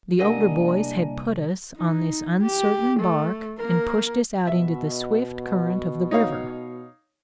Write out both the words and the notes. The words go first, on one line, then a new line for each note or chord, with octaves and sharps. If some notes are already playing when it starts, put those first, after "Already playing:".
The older boys had put us on this uncertain bark and pushed us out into the swift current of the river.
C2 A#3 D4 G4 A#4 D#5 F#5 G#5
D#4
G4
A3
A#3 A#4
B2 E5
D#4 C#5 F5